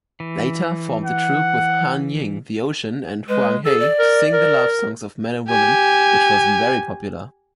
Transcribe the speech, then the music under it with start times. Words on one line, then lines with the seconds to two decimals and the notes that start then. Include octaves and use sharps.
Later, formed a troupe with Han Ying, the ocean and Huang He to sing the love songs of men and women, which was very popular.
0.20 E3
1.05 F#5
3.28 G#3 B4
3.65 G#4 A4
3.80 D5
3.99 A#4
4.33 A#4
5.49 G4 G#5